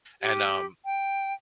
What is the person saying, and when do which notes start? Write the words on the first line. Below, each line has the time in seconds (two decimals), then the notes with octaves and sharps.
and, um,
0.22 G4
0.85 G5